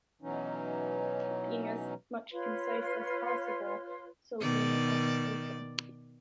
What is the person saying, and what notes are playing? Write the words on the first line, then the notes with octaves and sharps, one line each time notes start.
Being as much concise as possible, so being outspoken.
B2 E3 F#3 C#4 D#4
F4 B4 C#5 C6
B2 D#3 D5